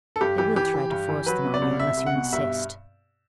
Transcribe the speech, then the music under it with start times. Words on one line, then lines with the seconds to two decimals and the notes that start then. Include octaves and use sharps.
They will try to force them on you unless you insist.
0.16 A4
0.21 G2 G4
0.38 E3 G4
0.56 E3 G4
0.74 E3
0.91 G2
1.09 E3
1.26 F#3 B4
1.44 B2
1.54 D5
1.62 C2
1.80 C2 E5
1.97 C2
2.06 F#5
2.15 B2
2.33 G2 E5